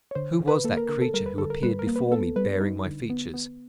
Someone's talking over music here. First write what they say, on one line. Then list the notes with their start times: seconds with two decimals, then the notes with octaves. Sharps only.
Who was that creature who appeared before me bearing my features?
0.11 C#5
0.15 D3 C5
0.40 D3
0.48 B4
0.64 A#3 A4
0.77 A#4
0.89 D3 A#4
1.02 A4
1.14 G3 A#4
1.26 B4
1.38 D3 A4
1.50 A#4
1.63 G3 B4
1.79 A#4
1.87 A#3
1.96 B4
2.11 B3 A4
2.36 G3 B4
2.61 D#4
2.86 D3
3.10 B3
3.34 B3